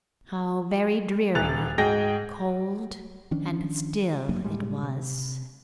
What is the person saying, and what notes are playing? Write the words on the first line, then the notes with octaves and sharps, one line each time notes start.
How very dreary, cold, and still it was!
D#1 D2 F#6 A6 F7
G#2 F#4 G#4 G5 A#6
D#3 F3 C#4 D4
D1 G2 F#3 A#3
A2 G3 G#3
C3